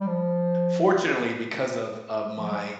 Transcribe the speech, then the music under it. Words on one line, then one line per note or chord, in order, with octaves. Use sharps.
fortunately because of of my,
G3
F3
F3
G3